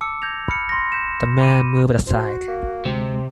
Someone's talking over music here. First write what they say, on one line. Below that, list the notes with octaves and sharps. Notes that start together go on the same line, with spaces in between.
The man moved aside.
A5 D6 E6 C#7
G6 G#6 A#6 F7
B5 F6 C#7
C6 A#6
G6 B6 E7
B5 D6 D#7
F#4 C5
A#3
D2 C3 G#3 C4